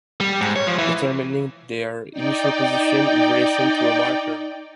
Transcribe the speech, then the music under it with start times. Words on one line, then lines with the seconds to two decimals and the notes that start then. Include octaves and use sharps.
Determining their initial position in relation to a marker.
0.20 G3
0.41 G#2
0.56 C#5
0.67 F3
0.78 E3
2.12 D#4 D5 G5